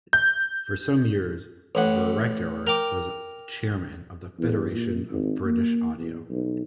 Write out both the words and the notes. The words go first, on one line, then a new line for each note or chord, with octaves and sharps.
For some years Vereker was chairman of the Federation of British Audio.
G6
A1 A2 F#5
A#4 G5 D6
E2
A#2
G#1
A#3
E2
B1